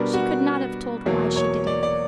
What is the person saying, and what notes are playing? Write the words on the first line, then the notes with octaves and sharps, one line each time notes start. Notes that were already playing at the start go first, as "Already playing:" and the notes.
She could not have told why she did it.
Already playing: B2 G3 B3 D4 A#4
F#4
E2 B2 F#3 A#3
C#5
D5
D5